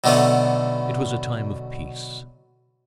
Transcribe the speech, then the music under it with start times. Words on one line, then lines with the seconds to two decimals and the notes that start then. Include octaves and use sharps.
It was a time of peace.
0.04 B1 B2 D3 A3 B3